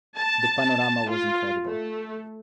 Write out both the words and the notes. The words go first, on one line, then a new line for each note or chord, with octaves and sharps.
The panorama was incredible.
A5
F4
A3